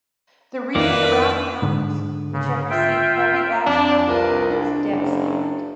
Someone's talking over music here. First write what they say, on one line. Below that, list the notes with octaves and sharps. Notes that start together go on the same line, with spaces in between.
The region around the mountains, which had received heavy ashfall, was devastated.
F2 D#3 A#3 E4 A#4 B4 D5
G#2 D3
C#3
F4 E5 G5
F2 D4 D6
C2 F4 A#4 B4
D4
F#1